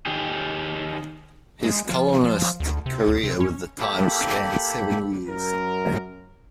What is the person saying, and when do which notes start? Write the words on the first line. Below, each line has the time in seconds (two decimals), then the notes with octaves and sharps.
His columnist career with the "Times" spanned seven years.
0.06 D#3 G4 G#4
1.64 G#3
1.90 F3
2.24 F3
2.60 D2
2.86 C3
3.08 D2
3.23 C3
3.40 C#4
3.80 A#3 G4 A4 B5
5.27 F#2 A#4